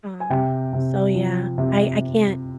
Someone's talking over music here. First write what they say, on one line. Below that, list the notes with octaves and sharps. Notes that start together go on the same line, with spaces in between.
Um, so, yeah, I I can't
G#5
C3 G5
C3
F3
C3